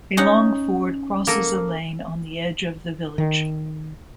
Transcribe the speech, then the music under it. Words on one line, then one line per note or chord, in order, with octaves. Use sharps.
A long ford crosses a lane on the edge of the village.
C#4 D#4 F#5
A#3 A4 A#4
D#3